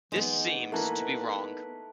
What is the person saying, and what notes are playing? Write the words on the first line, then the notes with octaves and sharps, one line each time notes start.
This seems to be wrong.
E3 G#3 B3 D#4
G#2 E3 A3 A#3 A#4 B4